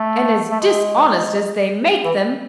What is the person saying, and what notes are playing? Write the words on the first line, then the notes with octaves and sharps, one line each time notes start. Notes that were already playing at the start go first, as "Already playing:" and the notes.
'And as dishonest as they make them.'
Already playing: A3
A3
G#3
E3